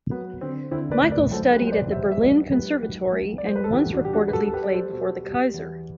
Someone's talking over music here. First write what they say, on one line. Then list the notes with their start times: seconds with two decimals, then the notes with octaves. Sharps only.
Michael studied at the Berlin Conservatory and once reportedly played before the Kaiser.
0.11 F#3 B3
0.41 D3 C4
0.71 D3 C4 E4
0.91 B4 D5
1.02 D2
1.12 B4 D5
1.31 B1 A4 C5
1.52 G4 B4
1.62 B1
1.67 C5
1.72 B4 D5
1.92 G3 C5 E5
2.11 E5
2.22 B1 B4 D5
2.52 B1 G4 B4
2.82 B1
3.13 B1
3.38 D5
3.43 B1 C5
3.56 B4
3.64 A4
3.72 E2 E4 G4
3.92 D4 F#4
4.03 G3 G4
4.13 D4 F#4
4.28 B4
4.33 G3 F#4 A4
4.46 A4
4.53 G4 B4
4.63 G3 D5
4.73 A4 C5
4.93 B2
5.23 G3
5.54 E2